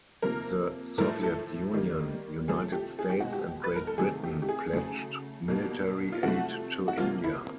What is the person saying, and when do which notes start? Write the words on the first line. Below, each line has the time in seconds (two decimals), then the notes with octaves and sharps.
The Soviet Union, United States, and Great Britain pledged military aid to India.
0.22 C3 F3 A#3 A#4
0.98 A2 F3 A3 A#4
1.23 A4
1.74 D#3 G3 A#3
2.48 C3 F3 A3 G#4
2.72 G4
2.99 G#4
3.10 G4
3.20 B2 G#3 F#4
3.33 G4
3.64 B4
3.76 A#4
3.87 A4
3.98 C3 D#3 F#3 A3 G#4
4.24 G4
4.42 G4
4.49 G#4
4.73 C#3 F#3 A3
5.48 B2 G3 A#3
6.12 F4
6.23 C3 F3 A3 F#4
6.88 F#4
6.98 C3 F3 A#3 F4
7.24 E4